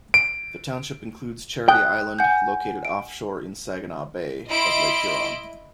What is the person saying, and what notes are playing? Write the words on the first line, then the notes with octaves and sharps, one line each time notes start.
The township includes Charity Island, located offshore in Saginaw Bay of Lake Huron.
D7
G5 D#6 F#6
F#5 G#5 G6
D7
E4 D#5 C6 D7